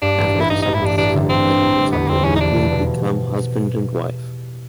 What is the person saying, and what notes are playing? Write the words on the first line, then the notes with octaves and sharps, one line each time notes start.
After the seventh step, the couple legally become husband and wife.
G2 D4
A1
A1
E4
G2 D#4
A1 D#4
E4
G2 D4
A1 D4
D3
G2 C4
A1
A1
G3
E2 B3
E2 C4
E2 C#4
D#4
F1 D4
B2
B2